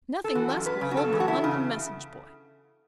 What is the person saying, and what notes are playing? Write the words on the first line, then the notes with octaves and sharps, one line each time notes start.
Nothing less will hold the London message-boy.
A4
E3 F#4
F#2
F#2 B4
C#3
F#4
F#3 A4
E2
F#4
E2 E4
C#3